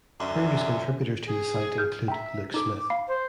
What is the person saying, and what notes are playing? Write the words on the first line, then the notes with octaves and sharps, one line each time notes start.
Previous contributors to the site include Luke Smith.
F#2 D3 C#4 E5
G#4
G#4 F6 G6
E5 G5 A#5
D#4 A4 D6
F5 B5 C7
C5